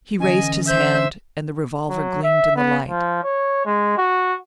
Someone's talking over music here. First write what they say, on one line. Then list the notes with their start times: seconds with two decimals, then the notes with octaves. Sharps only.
He raised his hand and the revolver gleamed in the light.
0.20 D3 E3 C#4 D#5 G#5
0.68 C5 E5 G6
1.89 F#3
2.23 E5
2.56 B3
2.89 F3
3.23 C#5
3.65 G#3
3.98 F#4